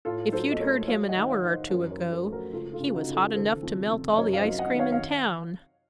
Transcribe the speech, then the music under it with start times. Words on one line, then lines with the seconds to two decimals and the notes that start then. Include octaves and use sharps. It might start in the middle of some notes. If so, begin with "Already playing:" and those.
If you'd heard him an hour or two ago, he was hot enough to melt all the ice-cream in town.
0.05 A2 F4 A4
0.32 F#3 A4 C5
0.52 D#5
0.60 A3 A#4 C#5
0.87 F#3 C#5 F5
1.08 D#5 F#5
1.15 D#3
1.29 C#5 F5
1.43 D#3
1.49 C5 D#5
1.70 F#2 A#4 C#5
1.91 A#4 C#5
1.98 F3
2.11 A4 C5
2.25 A3 A4
2.32 F#4 A#4
2.53 C#2 F4 A4
2.73 F4 A4
2.80 C#3
2.87 A4
2.94 D#4 F#4
3.08 C#3
3.14 F4 A4
3.35 D#3 A4 C5
3.63 F2
3.90 C3
4.12 D#5
4.17 F#2 A#4 C#5
4.33 F5
4.38 C5 D#5
4.45 F#3
4.59 D#5 F#5
4.73 D#3
4.79 C#5 F5
4.92 F5